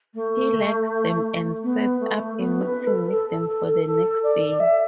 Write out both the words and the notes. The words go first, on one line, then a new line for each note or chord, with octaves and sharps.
He likes them and sets up a meeting with them for the next day.
A3
B3
A3
B3
B4
A4
A4
A4
A4
A4
A4
D5
E5